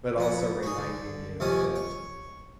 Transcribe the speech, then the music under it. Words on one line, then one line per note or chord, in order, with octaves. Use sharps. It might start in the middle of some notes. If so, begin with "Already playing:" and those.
but also reminding you that
F2 B4 F#5
F#4 G#4
D3
D#2 C3 F3 C#4 F#5 G#5
C#5